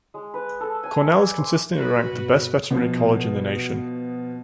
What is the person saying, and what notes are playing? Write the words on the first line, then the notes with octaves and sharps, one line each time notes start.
Cornell is consistently ranked the best veterinary college in the nation.
G#3
B4
A4
G#5
E5
D5
C6
F#4 B4
G2 B2
B2 F3